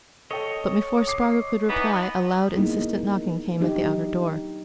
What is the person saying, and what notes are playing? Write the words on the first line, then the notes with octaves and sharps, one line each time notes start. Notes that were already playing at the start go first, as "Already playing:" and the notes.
But before Spargo could reply, a loud insistent knocking came at the outer door.
A4 C#5 D#5 G5
D6 C7
E3 B3 D#4
A#3 B3 D#4 E4 G#4
F#3 D4 D#4 G4